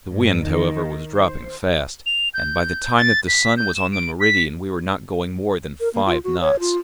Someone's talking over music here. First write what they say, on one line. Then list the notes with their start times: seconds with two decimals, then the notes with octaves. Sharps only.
The wind, however, was dropping fast; and by the time that the sun was on the meridian we were not going more than five knots.
0.13 G2
0.46 D#3
1.12 C5
2.06 F7
2.34 G6
2.97 A6
3.28 B6
3.57 G6
3.75 E7
3.92 D7
4.20 B6
5.80 A#4
5.94 A#3
6.06 F4
6.24 F#4
6.41 C#5
6.59 F4